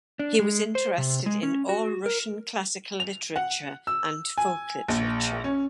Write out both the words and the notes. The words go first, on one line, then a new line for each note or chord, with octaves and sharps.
He was interested in all Russian classical literature and folk literature.
D4
G#3
C5
C3
G#3
C#4
F#4
A#4
F7
F#5
E6
G#5
A#1
C#4